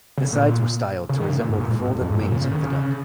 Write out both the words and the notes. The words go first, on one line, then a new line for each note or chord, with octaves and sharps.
The sides were styled to resemble the folded wings of the duck.
C#3
A#2
C#3
D#3
C#3
A#2
G#2
A#2
G#2
F2
F2
G#2
A#2
C#3
C#3
D#3
C#3